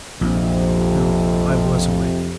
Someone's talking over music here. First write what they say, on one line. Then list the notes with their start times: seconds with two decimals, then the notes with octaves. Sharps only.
"No--I was awake."
0.21 A#1 F2 C3